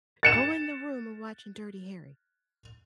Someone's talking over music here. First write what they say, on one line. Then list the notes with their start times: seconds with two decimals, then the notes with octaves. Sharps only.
"Go in the room, we're watching Dirty Harry."
0.23 A6 C#7 E7